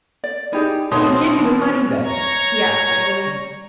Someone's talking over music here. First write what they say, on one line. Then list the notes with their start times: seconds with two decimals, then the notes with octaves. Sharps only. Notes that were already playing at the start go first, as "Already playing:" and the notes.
"Will you give me the money then?" he asked angrily.
0.24 D5
0.53 D#4 E4 G4 G#4
0.91 B2 A3 B3 D#4 C#5 C6 D#6
1.12 C4
1.38 E3 D4
2.05 C#5 A#5 C#6 G#6